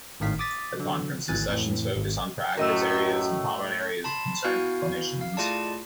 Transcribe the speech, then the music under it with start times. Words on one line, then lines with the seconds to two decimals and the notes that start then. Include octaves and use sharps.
The conference's sessions focus on practice areas and common areas of concern for clinicians.
0.20 G#1 A2 D#3 F5 B6
0.39 D6 D#6 A6 B6
0.77 D3 F#3
1.28 G#1 D2 E3 G#5 F#6 A6
1.48 F2 A2 E3
1.97 G#1
2.57 F#2 A2 A3 A#4 D#5 E6
4.04 A5 B5 C6
4.44 B3 E4 F#4 F5 G#5 G6
5.21 F5
5.37 A3 E4 F4 G#4 D5 A5